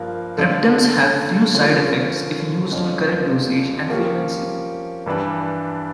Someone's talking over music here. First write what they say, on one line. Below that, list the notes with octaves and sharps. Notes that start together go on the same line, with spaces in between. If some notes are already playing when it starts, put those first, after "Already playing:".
Triptans have few side effects if used in correct dosage and frequency.
Already playing: G2 F3 A#3
D3 A3 D4 F4
D3 F3 A#3 C#4
F2 D3 F3 C#4 F4
F3 A#3 C#4 G4 C#5
G2 E3 G3 D4